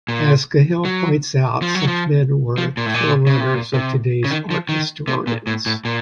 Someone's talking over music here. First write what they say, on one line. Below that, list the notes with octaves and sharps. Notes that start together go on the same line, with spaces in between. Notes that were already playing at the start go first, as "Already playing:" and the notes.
As Cahill points out, such men were the forerunners of today's art historians.
A#2
F#3
F3
F#3
F3
F3
A#2
A2
A#2
C#3
C3
A#2
C3
C#3
D#3
F3
D#3
C3
A#2
A2
A2
A#2